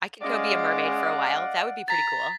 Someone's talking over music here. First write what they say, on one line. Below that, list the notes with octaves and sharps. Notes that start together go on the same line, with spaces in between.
I could go be a mermaid for a while, that would be pretty cool.
G#3 C#4 D5 D#5 F5 F#5
A#5 A6 B6